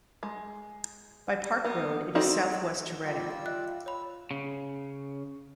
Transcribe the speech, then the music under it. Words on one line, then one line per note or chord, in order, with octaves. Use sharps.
By Park Road it is southwest to Reading.
G#3
A#3 B3
C4 D#4 F#4 A4 D5
G3 F4 D5 E6
D#5 E5 F#6
C#5 B5 E6
C#3